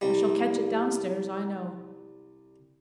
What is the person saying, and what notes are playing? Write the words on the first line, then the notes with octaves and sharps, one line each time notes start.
I shall catch it down stairs, I know.
C2 G3